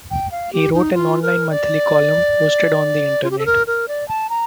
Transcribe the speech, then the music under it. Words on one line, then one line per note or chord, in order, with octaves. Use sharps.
He wrote an online monthly column posted on the Internet.
G5
F5
G4
D#4
F4
A#4
D5
F4
G4
A4
A#4
A#4
D5
A5
A#5